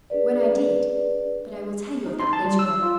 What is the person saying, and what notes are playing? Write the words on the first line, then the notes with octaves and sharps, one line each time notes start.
When I did--but I will tell you of that later on.
D4 G#4 B4 D5
D#4
C6
A5
G3
E6
F4